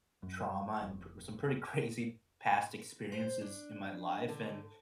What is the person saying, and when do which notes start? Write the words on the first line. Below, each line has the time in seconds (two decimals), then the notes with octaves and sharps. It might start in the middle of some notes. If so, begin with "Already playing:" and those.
trauma, and p some pretty crazy past experiences in my life, and,
0.23 F#2
0.81 F1
3.12 C5
3.41 D4
4.29 D3